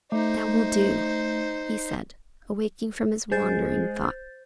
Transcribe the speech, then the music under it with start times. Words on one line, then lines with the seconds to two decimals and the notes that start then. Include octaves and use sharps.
'That will do,' he said, awaking from his wandering thought.
0.12 A3 D#4 C5
3.32 G#3 G#4 C5 G6 A6